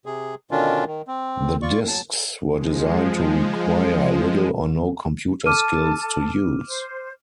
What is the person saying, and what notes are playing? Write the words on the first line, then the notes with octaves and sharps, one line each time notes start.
The disks were designed to require little or no computer skills to use.
C3 G#4
B2 D3 D#3 C#4 D4 F4
D#3
C4
F4 D5 C#6
F#3 A5
F3 G#3
A4 A5 D6 F6 D#7
C5